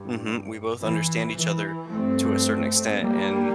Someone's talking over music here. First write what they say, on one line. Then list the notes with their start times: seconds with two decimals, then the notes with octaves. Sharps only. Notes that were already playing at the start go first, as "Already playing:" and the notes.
mhm, we both understand each other to a certain extent and
Already playing: G2
0.82 E3
1.37 E3
1.91 G2 A3 C4
3.00 G3 A#3